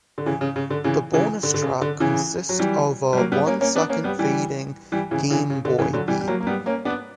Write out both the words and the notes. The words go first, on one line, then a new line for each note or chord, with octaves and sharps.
The bonus track consist of a one-second fading Game Boy-beep.
D3
C#3 E3
C#3
C#3
D3
C#3 E3
C#3 E3
D3
D3
C#3
D3
C#3 E3
F#3
E3 G3
G3
F#3 A#3
G3 B3
A#3 C#4
A#3 C#4
B3 D4
A#3 C#4
G3 B3
E3 G3
E3 G3
C#3 E3
C#3 E3
C#3
D3
C#3 E3
D3 F#3
E3 G3
G3
F#3 A#3
A#3
G3 B3
A#3 C#4
B3 D4